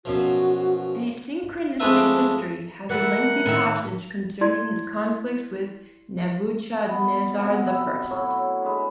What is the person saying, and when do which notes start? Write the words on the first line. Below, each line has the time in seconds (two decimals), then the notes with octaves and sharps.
The "Synchronistic History" has a lengthy passage concerning his conflicts with Nebuchadnezzar the First.
0.05 F#2 B2 F3 F#4
1.80 F2 G#3 A3 D4 B4 E5
2.89 E3 G3 A3 A#4 F#5
3.46 A2 D#3 E5
4.41 E4 D5 C6 G#6
6.85 B3
7.35 C3 F#3 B3
7.67 G4 E5
8.10 A2 F#3 C#5
8.62 G#3 D4 B4